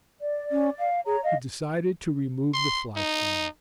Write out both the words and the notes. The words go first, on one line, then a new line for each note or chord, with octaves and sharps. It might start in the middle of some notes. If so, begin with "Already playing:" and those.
He decided to remove the fly-screening.
D5
C#4
F5
G#4 C#5 A#5
D#5 F5
C6
D#4